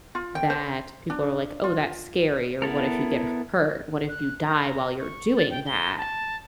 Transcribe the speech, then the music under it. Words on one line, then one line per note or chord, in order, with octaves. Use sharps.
that people are like, "Oh, that's scary," or "What if you get h hurt? What if you die while you're doing that?"
F4
G5
C5
D4
F4
B3 E4 A4 A#4
F#6
A#5
C#6
A6
G5
G7
A5